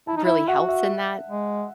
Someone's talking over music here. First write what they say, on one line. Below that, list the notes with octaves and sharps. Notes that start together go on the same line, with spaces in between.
really helps in that
E4 A5
D#4
E4 E5
F#4 F#5
E5
G#3